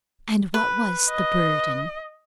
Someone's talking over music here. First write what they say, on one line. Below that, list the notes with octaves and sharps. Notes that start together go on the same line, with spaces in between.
And what was the "burden"?
B4
D#5